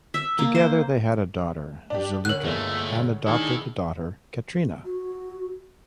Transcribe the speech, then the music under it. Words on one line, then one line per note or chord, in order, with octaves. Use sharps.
Together they had a daughter, Zuleika, and adopted a daughter, Katrina.
E5
A#3
C5
D4 G4
D2 C#4 A#4 F#6
G1 A#2 G#3 A3
D#3 D4 E4 G#4 A4
F#4